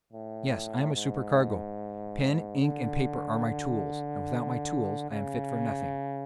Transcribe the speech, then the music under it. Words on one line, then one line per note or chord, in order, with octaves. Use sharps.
"Yes; I am a supercargo; pen, ink, and paper are my tools, and without my tools I am fit for nothing."
A2
G#2
D3
C#3